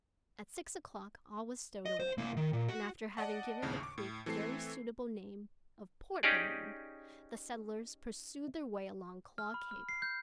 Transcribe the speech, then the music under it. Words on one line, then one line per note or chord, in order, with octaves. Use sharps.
At six o'clock, all was stowed away, and after having given the creek the very suitable name of "Port Balloon," the settlers pursued their way along Claw Cape.
D#5
C5
C2 A#3
D#3
A#2
F#4
D5 D#5 F#5 A5
A#1 D#2 A2 C#3
C#6 D6
A2
E3 A3 C4 A4 C7
C#4 D#4 G4 G#4 D5
F6
B5
F6
C7
G6